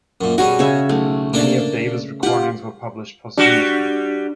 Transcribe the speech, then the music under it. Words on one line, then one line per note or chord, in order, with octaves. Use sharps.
Many of Davis' recordings were published posthumously.
F#2 A#2
B2 G3 C#4 F#4 G#4
C#3 C#5 E5
B1 A3
A#3 D4 A4
F4 G4 F#5
G3 D4 F#4